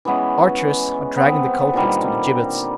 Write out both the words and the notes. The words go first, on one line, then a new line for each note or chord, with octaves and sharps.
The archers are dragging the culprits to the gibbets.
E3 G#3 B3 C#4
B3 C4
A#2 D3 D#3 G3